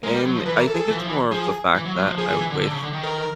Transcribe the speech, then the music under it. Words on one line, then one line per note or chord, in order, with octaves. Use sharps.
And I think it's more of the fact that I wish
G#3 A#4
G3
F#3
F3
E3 B4
A#4
A4
G#4
A4
E3
F3
E3
F3 G#4
E3
F#3
F#3
F3
F3 G#4
E3
E3
D3
D3
C#3
D3
D#3
A#4